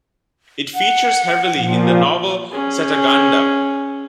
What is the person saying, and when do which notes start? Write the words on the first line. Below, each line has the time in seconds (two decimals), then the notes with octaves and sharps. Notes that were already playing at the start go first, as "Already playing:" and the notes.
It features heavily in the novel "Cetaganda".
0.75 F#5
1.55 A#2 F3
2.52 C#4 G#4